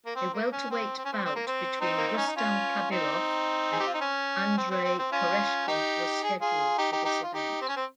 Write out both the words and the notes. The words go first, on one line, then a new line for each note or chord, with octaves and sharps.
A welterweight bout between Rustam Khabilov and Andrey Koreshkov was scheduled for this event.
A#3
C4
A#3
C#4
C4
C4
C#4
C4
C4
A#3
C4
C4 D#4
A#3
C4
C#4
D#4
C#4 F4
C4 D#4
G#4
G4
F4
D#4
C#4
C4
C4
C4
C4
C#4 F4
D#4 G4
G#4
F4 G#4
D#4 G4
D#4 G4
D#4 G4
F4
D#4 G4
C4
C#4
C4